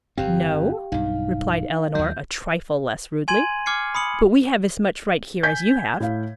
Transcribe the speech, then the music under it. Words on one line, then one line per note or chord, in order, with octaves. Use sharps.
"No," replied Eleanor a trifle less rudely, "but we have as much right here as you have."
G1 F2 C4 G4 F5 G5
B1 G2 D#4 F5
D#2 F#3 G6
G#5 C6 G#6 D#7 F#7
D6 F6 G#6 C7 C#7
B5 D#6 C#7 F#7
G#5 G6 G#6 B6
A2 F5